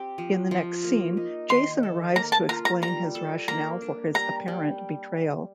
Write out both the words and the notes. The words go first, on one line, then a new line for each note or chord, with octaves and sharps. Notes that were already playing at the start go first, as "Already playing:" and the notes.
In the next scene Jason arrives to explain his rationale for his apparent betrayal.
Already playing: C4 G4
F3
F3
A#3
D#4
D#3 C6
A4
A#3 A#5
A5
F4 A#5
A#5
G3 A#5
A4
A#3 A#5
D4
G3 A#5
G3